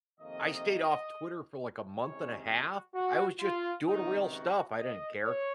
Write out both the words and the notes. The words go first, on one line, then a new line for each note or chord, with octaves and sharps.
I stayed off Twitter for, like, a month and a half- I was just doing real stuff, I didn't care-
F2 C3 D#3 A#3 D#5
C2 C3 D#3 G#3 C#4 C#5
F#4
F#4
F4
C#2 C3 D#3 D#4
F#4
D#5
C#5